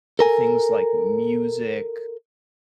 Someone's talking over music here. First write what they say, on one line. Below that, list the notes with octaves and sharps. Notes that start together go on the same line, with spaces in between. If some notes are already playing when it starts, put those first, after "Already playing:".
things like music
A4 A#4 G#5